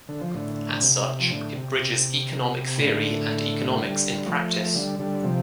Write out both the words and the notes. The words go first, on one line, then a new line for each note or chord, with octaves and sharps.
As such, it bridges economic theory and economics in practice.
D3
F3
A2 D3
C3
F3
A2 D3
C3
C3
A2 D3
A3
D3 G3
F3 A3
D3 G3
D3 G3
C3 F3